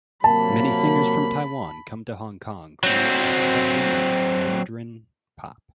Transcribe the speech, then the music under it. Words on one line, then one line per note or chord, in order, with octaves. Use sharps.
Many singers from Taiwan came to Hong Kong creating a spectrum of Mandarin pop.
C3 F#3 A#3 A5 B5
F#3 C4